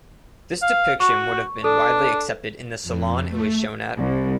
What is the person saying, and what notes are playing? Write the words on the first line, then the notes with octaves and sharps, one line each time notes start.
This depiction would have been widely accepted in the Salon it was shown at.
F5
F#4 C#6
D4 A4
F2
A3
C2